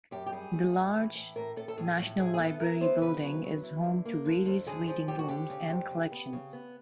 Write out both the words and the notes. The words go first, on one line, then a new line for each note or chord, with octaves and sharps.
The large National Library building is home to various reading rooms and collections.
F#2 G4
G4
G3 G#4
A3
A2
E3
A2
A2 A#4
A2 A4
A4
A2 G#4
A2
E4 G#4
G#4
B3 A4
E4 A#4
B3 C5
C#3 B4
F#3
F#3
E4
D3
A#3
D3
F2
D3 G#4
F3
F2 G4
F#4
D3 G4
C#3
F2
C#3
B3
C#3
B3